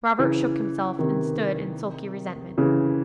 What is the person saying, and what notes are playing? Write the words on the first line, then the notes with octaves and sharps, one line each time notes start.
Robert shook himself and stood in sulky resentment.
C#3 E3
C3 D#3
C#3 E3